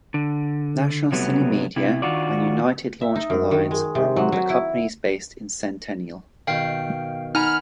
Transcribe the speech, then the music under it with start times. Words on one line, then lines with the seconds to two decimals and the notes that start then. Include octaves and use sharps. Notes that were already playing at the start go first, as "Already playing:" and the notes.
National CineMedia and United Launch Alliance are among the companies based in Centennial.
0.14 D3
1.12 C3 F#3 G3 A3 B3
1.76 C3 E4
2.02 D#3 D4 F4 F#4 D5
3.01 E5
3.16 D#4
3.30 F#2
3.51 D#3
3.71 G#3
3.95 C3
4.16 F#3
4.32 F#3
4.50 E4
6.47 B2 D#3 F5 G5 C7
7.35 D#4 F#5 G#5 A#5 B5 F6